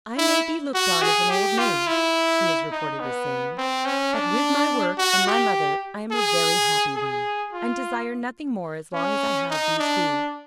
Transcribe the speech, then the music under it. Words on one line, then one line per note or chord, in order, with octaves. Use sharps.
"I may be looked on as an old maid," she is reported as saying, "but with my work and my mother I am a very happy one, and desire nothing more as long as I have these two."
E4
F#4
G#4
G4
F4
E4
D#4
B3
C4
C#4
D4
F#4
G4
G#4
G#4
F4
C#4
D#4
D4